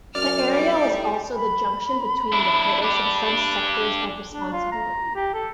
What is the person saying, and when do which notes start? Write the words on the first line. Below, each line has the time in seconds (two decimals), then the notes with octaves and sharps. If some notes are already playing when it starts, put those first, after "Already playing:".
The area was also the junction between the British and French sectors of responsibility.
0.15 F#2 D5 F6
0.53 G3
0.83 A2
1.34 B5
2.32 D4 E4
2.82 D4 G4
4.31 D4
4.52 F4
4.71 A#5
5.15 G4
5.34 A4